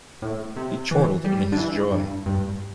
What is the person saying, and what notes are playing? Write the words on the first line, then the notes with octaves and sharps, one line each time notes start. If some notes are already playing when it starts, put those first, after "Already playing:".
He chortled in his joy.
A2
C3
E3
G3
D3
E3
G2
G2